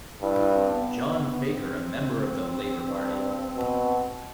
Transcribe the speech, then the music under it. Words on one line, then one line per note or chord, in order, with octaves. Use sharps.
John Faker, a member of the Labor Party.
G2 E4
E4
C4
B3
B3
C4
G2
B2